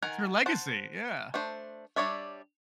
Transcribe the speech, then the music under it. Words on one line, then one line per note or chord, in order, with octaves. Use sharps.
It's her legacy, yeah.
D#3 A#4 F#5 G#5
C5 F#5 A5
A3 D4 C5
G3 D4 C#5 D5 E5